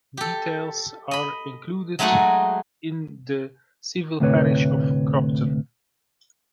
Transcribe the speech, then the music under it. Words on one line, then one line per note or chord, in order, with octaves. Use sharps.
Details are included in the civil parish of Cropton.
G4 A4
D#5 B5
F#3 G#3 A3 D#4 F#4 G#4
D2 A2 C3 B4 C#5